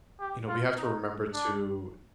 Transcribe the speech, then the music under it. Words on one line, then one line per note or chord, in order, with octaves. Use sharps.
you know, we have to remember to
G4
F4
D#4
D4